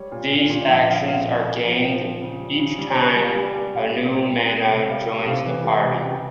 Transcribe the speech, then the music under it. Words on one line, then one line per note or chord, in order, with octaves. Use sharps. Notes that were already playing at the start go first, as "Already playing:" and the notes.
These actions are gained each time a new Mana joins the party.
Already playing: G3 C#5
A#2
A#2
A#2
F3 E5
F3 F5
E5
A#2 F5
A#2
A#2
F3
F3 G5
F3
C#3
G3
C#3
G3
C#3
G3
G3 G#5
G3
A#2
G3
G3 G5
G3
G3
C3
G5
G3 F5
G3
C3 F5
E3
G3
C3
C#3 G5